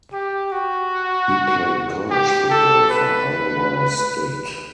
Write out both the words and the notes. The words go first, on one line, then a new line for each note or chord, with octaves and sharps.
He played college football for Iowa State.
G4
F#4
G4
A4
B4